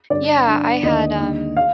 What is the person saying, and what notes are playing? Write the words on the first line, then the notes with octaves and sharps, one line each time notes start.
Yeah, I had, um,
G2 D3 D5
G2 D3
D#2 D3 D#5
D#2 D3
F5